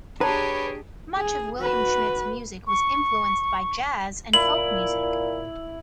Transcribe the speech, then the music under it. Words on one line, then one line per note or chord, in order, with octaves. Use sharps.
Much of William Schmidt's music was influenced by jazz and folk music.
D4 G4 G#4 B4 C#5 A5 A#5
G#4
F#4 B4
C#6
A#2 E4 F#7